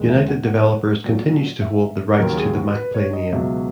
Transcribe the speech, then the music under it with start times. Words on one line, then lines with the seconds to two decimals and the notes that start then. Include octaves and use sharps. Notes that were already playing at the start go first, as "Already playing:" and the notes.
United Developers continues to hold the rights to the MacPlay name.
Already playing: E2 D#3 G#3
0.09 E5
0.28 F#5
0.47 F#5
1.04 A#2 F#3
1.62 E5
2.18 D#2 C#3 F#3 A#4
2.37 G#4
2.56 F#4
2.75 B4
2.94 C#5
3.13 D#5
3.33 C#2 B2 F#3 E5